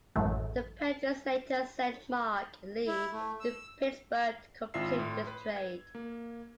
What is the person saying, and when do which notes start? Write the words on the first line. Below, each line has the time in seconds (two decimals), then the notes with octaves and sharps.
The Padres later sent Mark Lee to Pittsburgh to complete the trade.
0.16 A1 F#2 E3 F#3 G#3 A3
2.87 E4
3.12 A3
3.40 E6
4.74 G#1 E4 F4 E5 E6 C7
4.98 A2 C6
5.27 B4
5.56 G#6
5.95 A#3